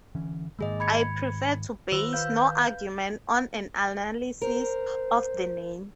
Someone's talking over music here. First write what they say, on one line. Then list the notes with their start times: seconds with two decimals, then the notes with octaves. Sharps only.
I prefer to base no argument on an analysis of the name.
0.15 D3 E3 C#4
0.59 G#2 D#3 G#3 A#3 G#4 D#5
0.80 B5 G#6 C#7
1.92 D#3 F4 C5 E6
2.13 B4 F5 G6
4.42 A#4 C5